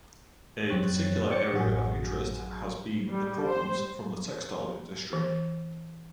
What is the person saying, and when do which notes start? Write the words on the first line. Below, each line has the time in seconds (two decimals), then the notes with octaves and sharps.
A particular area of interest has been the problems from the textile industry.
0.69 F#2 C4 C#5 F#6 A6
1.29 C#5 D5 G5 C#6 A6 C#7
1.53 A1 F#2 F#4 G#4
3.07 G3
3.48 C5
5.13 E3